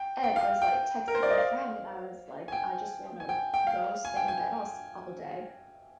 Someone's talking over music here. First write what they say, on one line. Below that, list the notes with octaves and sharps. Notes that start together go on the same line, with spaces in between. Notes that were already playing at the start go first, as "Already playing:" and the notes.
and I was, like, texting my friend, and I was, like, I, just, wanna go stay in bed all s all day,
Already playing: G5
G5
F5
G5
A#4
C5
D5
D#5
F5
G#5
G5
G#5
G5
G5
F5
G#5
G5
G#5